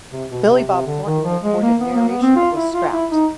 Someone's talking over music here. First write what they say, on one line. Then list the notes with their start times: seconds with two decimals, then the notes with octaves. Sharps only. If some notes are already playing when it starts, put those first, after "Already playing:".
Billy Bob Thornton recorded narration that was scrapped.
0.11 C3
0.30 B2
0.49 C3
0.68 C3
0.86 D3
1.05 D#3
1.24 F3
1.43 G#3
1.62 A#3
1.80 B3
1.94 A#3
2.08 B3
2.23 C4
2.36 F4
2.55 E4
2.74 F4
2.92 E4
3.12 D#4